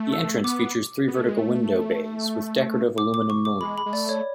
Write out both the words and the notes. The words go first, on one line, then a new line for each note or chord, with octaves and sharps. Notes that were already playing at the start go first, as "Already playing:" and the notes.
The entrance features three vertical window bays with decorative aluminum mullions.
Already playing: A3
E6
B3 D6
B3
A3
G#3
A3
D6
D6
C#6
D6
G#3 B5
B5
G#3
A3 D5
C#5